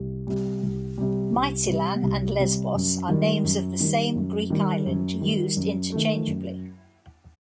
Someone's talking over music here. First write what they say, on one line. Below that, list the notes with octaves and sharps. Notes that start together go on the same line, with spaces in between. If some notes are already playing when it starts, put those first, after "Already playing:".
Mytilene and Lesbos are names of the same Greek island used interchangeably.
Already playing: C2
C3 G3
C2
C3 G3
C2
C3 G3
C2
C3 G3
F#2
D#3 G3
F#2
D#3 G3
F#2
D#3 G3
F#2
D#3 G3
F#2
D#3 A3
F#2